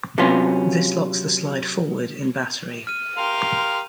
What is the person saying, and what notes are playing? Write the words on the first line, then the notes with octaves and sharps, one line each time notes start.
This locks the slide forward in battery.
C3 F#3 B3 C#4 F4
F6 D#7
G4 A#4 F5 C6